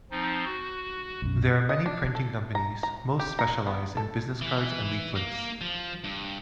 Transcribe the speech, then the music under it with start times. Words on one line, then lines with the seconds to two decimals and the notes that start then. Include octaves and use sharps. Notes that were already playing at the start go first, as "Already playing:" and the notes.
There are many printing companies, most specialize in business cards and leaflets.
0.11 F3 C4 D#4
0.45 F#4
1.22 B1 F#2
1.69 D#5
1.86 D4
2.15 A4
2.55 A#5
2.83 A#5
3.19 G4
3.39 A#5
3.67 B3
3.97 A4
4.42 E3
5.16 A#3
5.61 F3
6.04 G2